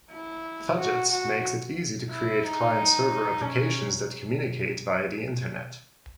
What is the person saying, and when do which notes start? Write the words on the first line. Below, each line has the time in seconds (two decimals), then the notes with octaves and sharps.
Fudgets makes it easy to create client-server applications that communicate via the Internet.
0.12 E4
0.78 F#4
1.11 F#4
2.10 E4
2.43 D#4
3.43 C#4